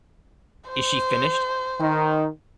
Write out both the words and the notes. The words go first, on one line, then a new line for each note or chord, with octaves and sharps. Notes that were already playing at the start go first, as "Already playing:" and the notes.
Is she finished?
C5
D#3 D#4